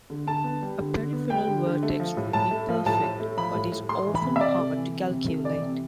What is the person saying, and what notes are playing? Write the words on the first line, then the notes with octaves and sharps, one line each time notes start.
A peripheral vertex would be perfect, but is often hard to calculate.
D3
D3 A5
B3
G3
D3
D3
B3
G3 G5
D3
D3
A3
F3
A2
A2 A5
A3
F3
A2 A5
A2
A3
F3 B5
A2
A2
A3 C6
E3
B5
C3
E5
C3 D5
A3
E3
C3
C3
A3
E3 D5
C3